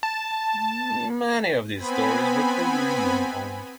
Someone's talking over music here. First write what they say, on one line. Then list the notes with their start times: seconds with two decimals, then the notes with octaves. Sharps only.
Many of these stores were Korean owned.
0.03 A5
1.75 B3 C4 G#5 B5